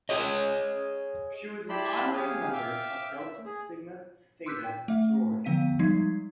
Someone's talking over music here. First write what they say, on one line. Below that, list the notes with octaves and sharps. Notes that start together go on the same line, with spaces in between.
She was an honorary member of Delta Sigma Theta sorority.
G#4 C#5 D#5
E4 G4 D5 A5 B5 C6
G4 G#4 F5 G#5
E5 F5 G5 D6
E5
G#4
C6 D6 E6 F#6 G6 B6
G5
A3 E5
D3 F3 B3 F5 B6 D#7
F3 G3 G#3 D#4 G#6 C7